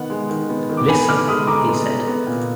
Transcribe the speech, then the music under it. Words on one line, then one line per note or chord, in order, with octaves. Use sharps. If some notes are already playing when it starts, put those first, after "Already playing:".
"Listen," he said.
Already playing: D#3 B3 F#5
G#3
D#3
B3
D#3
D6
B3 G#5 B5
D3 D6 F6
G#3 B5 D#6
D3 A#5 D6
B3
D3
B3
A#2